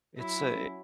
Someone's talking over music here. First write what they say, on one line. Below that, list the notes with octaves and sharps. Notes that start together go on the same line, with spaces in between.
it's a
F#3 E4
F#4
C#4